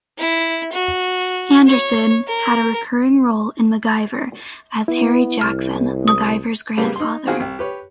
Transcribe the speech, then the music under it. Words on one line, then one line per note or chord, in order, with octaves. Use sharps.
Anderson had a recurring role in "MacGyver" as Harry Jackson, MacGyver's grandfather.
E4
F#4
C#5
A#4
B3 E4
C2 F6
D#6
C#3 G3 A#3 B3
D#4 C6
D#3 C4 F#4 G#4 F5
C2
G4 B4 C#5